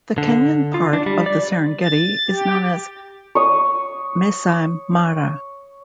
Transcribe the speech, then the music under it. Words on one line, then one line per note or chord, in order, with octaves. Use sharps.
The Kenyan part of the Serengeti is known as Maasai Mara.
D3
F4
D4
G3
D5
A6
G4
C#5 D#6